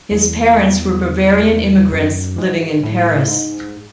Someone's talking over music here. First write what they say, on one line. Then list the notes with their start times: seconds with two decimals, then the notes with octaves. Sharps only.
His parents were Bavarian immigrants living in Paris.
0.11 E2
1.92 F#2
2.38 G#2
2.83 A2
3.28 G#2